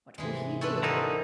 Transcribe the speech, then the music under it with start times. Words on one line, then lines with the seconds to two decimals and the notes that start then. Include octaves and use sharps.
"What will he do?"
0.18 D#2 G#2 C3 E3 G#3
0.61 A3 C4 D4 B4
0.83 D3 E3 D#4 A#4 C5